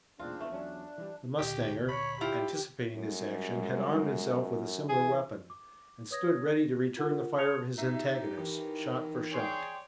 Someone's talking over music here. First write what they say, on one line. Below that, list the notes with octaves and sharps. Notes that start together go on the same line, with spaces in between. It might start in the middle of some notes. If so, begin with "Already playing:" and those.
The mustanger, anticipating this action, had armed himself with a similar weapon, and stood ready to return the fire of his antagonist-- shot for shot.
E1 E2 A#2 C#3 C4 D4 F4
E2 E3 A3
E2 F#3 C#4 D4
E3 G3
D2 A#2 D3 G4
C#5 B5
E4 F4 G4
F#2 G3 G#3
E3 G#4
D6
B4 C#5 D#6 G#6 A#6
A#6
F4 A#4 F#5
A5 C6 D#6 G#6 C#7 F7
D#4 G4 E5
D#3 E3
G#4 C#5 D5 G5 C6